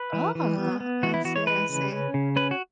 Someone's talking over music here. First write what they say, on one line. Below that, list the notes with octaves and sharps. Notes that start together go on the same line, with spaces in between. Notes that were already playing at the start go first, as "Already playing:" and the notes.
Oh, I see, I see.
Already playing: B4
E3
E3
B3
B3
E3 F#4
E4
E3 F#4
C#5
G#3 B4
C#3
C#4
C#3
C#4 B4
F#4